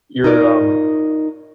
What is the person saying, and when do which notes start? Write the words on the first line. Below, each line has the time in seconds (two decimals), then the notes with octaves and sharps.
you're, um,
0.24 D#4 F4 A#4 D5